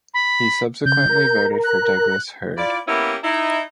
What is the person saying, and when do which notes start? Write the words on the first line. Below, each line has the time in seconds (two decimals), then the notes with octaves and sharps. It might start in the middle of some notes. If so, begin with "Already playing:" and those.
He subsequently voted for Douglas Hurd.
0.14 B5
0.86 C#3 G6
1.09 A#4
1.64 F#6
2.57 E4 F4 D5
2.88 A#3 B3 C#4 E4 G4
3.24 D#4 E4